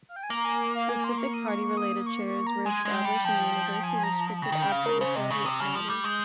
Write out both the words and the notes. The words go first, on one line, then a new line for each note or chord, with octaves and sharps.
Specific party-related chairs were established and the university was restricted after the Soviet model.
F5
G5
G#5
A#3 A#5
G#5
F5
G#5
C6
C#6
D#6
C#6
D#6
C#6
C#6
A#5
G#3 G#5
G#3
G5
G3
F3 G5
G#5
A#5
C#3 G5
D#3 G5
C#3
F5
A#4
C#3 C5
C3 D#5
C#3 C#6
C3 D#6
C#3 F6
F3
G3 G6
G#3